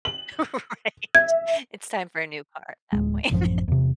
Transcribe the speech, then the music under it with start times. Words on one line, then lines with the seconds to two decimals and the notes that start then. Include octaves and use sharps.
Right. It's time for a new car at that point.
0.05 F#7
1.15 E5 G#6
2.93 D1 C2 G#3
3.31 A1 F#2 F3
3.68 E2 C3